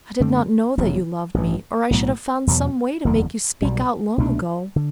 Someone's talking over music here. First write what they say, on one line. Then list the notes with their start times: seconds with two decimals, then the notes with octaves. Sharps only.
I did not know that you loved me, or I should have found some way to make you speak out long ago.
0.20 F#2 D3 A3 C4
0.77 E1 E2 C3 F#3
1.34 A1 G2 E3
1.90 B1 A2 F#3 B3
2.47 E2 B2 F#3
3.05 F#1 E2 D3
3.62 B1 B2 G3
4.18 C2 B2 A3 D4
4.76 D3